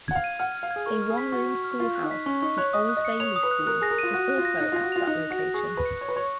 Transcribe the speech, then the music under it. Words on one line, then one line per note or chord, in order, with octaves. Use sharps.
A one-room schoolhouse, the Old Bailey School, is also at that location.
F#5 G#6
F5
D#7
F#5 F6
F6
F5
G#6
G#4
A#4 C#6
F6
G#4
B6
F#4 C#6
C#6
F6
F4 C#6
F#6
D#4
B6
C#4 C#6
D#4 C#6
C#5 F#6
D#5 D#6
F#6
D#5
C#7
C#5 F7
D#6
B4
F#6
A#4 F#6
G#4 A#6
A#4
F4 D#7
F#4 F#6
F#6
F4
A#6
D#4 F#6
F4 A#6
F#4
F4 F7
D#4 F#6
F#6
F#4
A#6
G#4 C#6
F#6
B4
C#7
C#5 C#6
B4
C#5 C#6